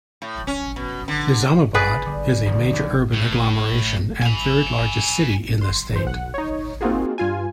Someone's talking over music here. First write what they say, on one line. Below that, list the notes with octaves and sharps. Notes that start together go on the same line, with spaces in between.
Nizamabad is a major urban agglomeration and third largest city in the state.
A2
C#4
B2
D3
G#4 B4 D5
D3 G3 B3
D#1 D2 A#3
D#2 F#3
A2
G#5 B5
C6
E2 C5
B1 F#5
D#4 C#5
A#3 C4 D#4 F4 F#4 G#4
G2 F4 G#5